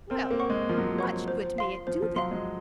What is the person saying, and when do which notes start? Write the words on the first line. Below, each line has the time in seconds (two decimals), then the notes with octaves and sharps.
Well, much good may it do them!
0.10 C4 A#4
0.31 A#3
0.39 C#5 F#5 C#6
0.50 G#3
0.69 F3 A#4
0.78 F#3
0.84 F3
0.99 C#5 F#5 C#6
1.28 C5
1.58 F5 C6
1.87 F3 C5
2.02 F3
2.16 F#3 F5 C6
2.31 G#3